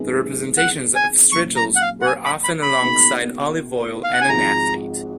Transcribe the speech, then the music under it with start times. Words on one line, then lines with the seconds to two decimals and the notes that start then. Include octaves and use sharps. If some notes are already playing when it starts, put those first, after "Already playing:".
The representations of strigils were often alongside olive oil and an athlete.
Already playing: G#1 F#2 D#3 G#3 B3
0.58 F#5
0.95 G#5
1.32 A#1 A#2 F#3 C#4 C#6
1.56 A#5
1.76 F#5
1.82 F5
2.02 F#5
2.06 G#5
2.25 B5
2.44 B5
2.62 B5
2.81 C#2 B2 A#3 D#4 F#4
4.04 F5
4.13 F#5
4.21 G#5
4.29 G#1 G#2 F3 G#3 D#4 A#5